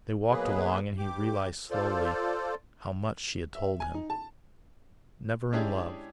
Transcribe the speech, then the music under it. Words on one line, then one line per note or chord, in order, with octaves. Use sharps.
They walked along, and he realized slowly how much she had told him... never in love....
B2 F#3 A#3 G#4 B4
G2 G4 D6
F4 A4 C5 D5
E5
G#5
D#4
A5
G#3 C#4 D4 E4 G4 G#4